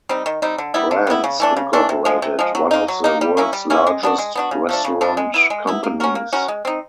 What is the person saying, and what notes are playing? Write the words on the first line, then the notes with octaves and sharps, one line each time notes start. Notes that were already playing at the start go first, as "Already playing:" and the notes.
Brands, Incorporated one of the world's largest restaurant companies.
G3 C4 D#4
D#3
G3 C4 D#4
D3
G3 B3 E4
D3
G3 B3 E4
C#3
E3 A3 D4
C#3
E3 A3 D4
C3
F3 G#3
C3
F3 G#3
F#3
A#3 D#4
F#3
A#3 D#4
G3
A#3 C#4 E4
G3
A#3 C#4 E4
G#3
B3 D4 F#4
G#3
B3 D4 F#4
C#3
F3 A3 D4
C#3
F3 A3 D4
G#3
B3 E4
G#3
B3 E4
A#3
C#4 F#4 A#4
A#3
C#4 F#4 A#4
G#3
C4 D#4